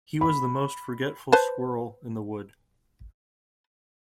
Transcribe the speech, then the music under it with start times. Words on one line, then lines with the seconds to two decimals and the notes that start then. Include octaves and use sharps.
He was the most forgetful squirrel in the wood.
0.21 B5
1.32 B4 C5 A5